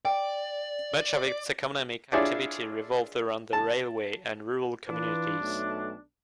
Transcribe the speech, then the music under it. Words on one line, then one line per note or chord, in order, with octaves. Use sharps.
Much of its economic activity revolved around the railway and rural communities.
D5 G5
D4 E4 F4 G#4 C#5 D5
A5
E3 D4 F4 B4
B1 A3